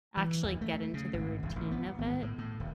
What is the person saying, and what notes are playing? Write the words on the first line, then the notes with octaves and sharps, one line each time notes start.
actually get into the routine of it,
E3
D#2
A3
C#3
G#1
D#1
A1
B3
G#1
A2
A2
D#1